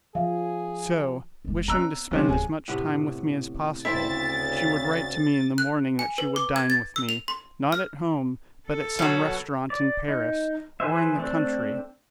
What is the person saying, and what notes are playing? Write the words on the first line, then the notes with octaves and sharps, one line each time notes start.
So, wishing to spend as much time with me as possible, she would write to me in the morning that she would dine with me, not at home, but at some restaurant in Paris or in the country.
F3 G#4 E5 F5
F1 G#3
B3 A#5 E6 F#6
C#2 C3 F#3
D1 G#4
A2 C3 B3
D2 C#3 C4 E4 C5 E5 A6
F#6
G#5
B4
D6
G#6
A6
E6
F7
C6
F6
A4
B2 F#3
D5
D#4
E3 G#4 B4 C5 E5
A3 C4 D4